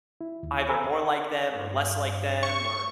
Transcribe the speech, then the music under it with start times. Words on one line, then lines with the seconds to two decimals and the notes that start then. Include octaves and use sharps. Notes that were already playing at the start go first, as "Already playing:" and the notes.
either more like them or less like them or,
0.21 E4
0.43 D#2
0.69 A4 G#5 A#5 B5 E6
1.50 G2
2.43 C#6